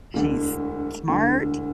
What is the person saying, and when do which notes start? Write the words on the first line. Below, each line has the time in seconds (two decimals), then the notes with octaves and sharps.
she's smart,
0.14 E1 D2 D3
1.08 E1 D2 D3